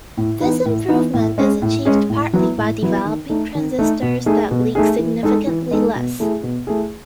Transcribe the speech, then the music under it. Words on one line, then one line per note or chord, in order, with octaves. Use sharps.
This improvement is achieved partly by developing transistors that leak significantly less.
A2
E3 B3 D#4
A2
E3 B3 D#4
A2
G#3 C#4 G#4
A2
G#3 C#4 G#4
A2
F#3 B3 E4
A2
F#3 B3 E4
D#3
A3 D#4
D#3
A3 D#4
B2
A3 D#4 G#4
B2
A3 D#4 G#4
E3
G#3 D#4 A4
E3
G#3 D#4 A4
B2
A3 E4 G#4
B2
A3 E4 G#4